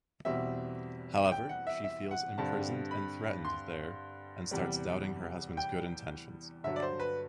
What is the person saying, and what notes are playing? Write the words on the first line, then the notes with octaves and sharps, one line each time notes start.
However, she feels imprisoned and threatened there and starts doubting her husband's good intentions.
E2 B2 G3 C4 E5
G5
F#5
E5
E5
F#5
G2 D3 G3 C4 A5
B5
C6
E2 C3 G3
G5
G2 D3 F#3 E5
D5
C5
B4